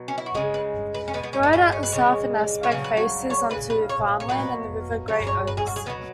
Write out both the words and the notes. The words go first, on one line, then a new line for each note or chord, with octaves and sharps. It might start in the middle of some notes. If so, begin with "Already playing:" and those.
The road at the southern aspect faces onto farmland and the River Great Ouse.
Already playing: B2 F#3
C#4
E4
F#4
C#3 G#3 G#4
B4
B4
C#4
B2 G#3 B3
B3
C#4
B3
C#4
C#4
B4
C#3 E3 G#3 C#5
C#5
C#3 F#3 B4
B4
F#4
C#5
C#3 F#3 B4
B4
C#5
C#5
B2 F#3 B4
C#3 F#3 C#5
C#5
B4
G#4
F#4
G#4
B2 F#3 B3